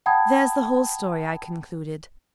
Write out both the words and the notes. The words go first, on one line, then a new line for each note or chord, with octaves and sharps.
"There's the whole story," I concluded.
F#5 G5 A5 B5 D#6 G#6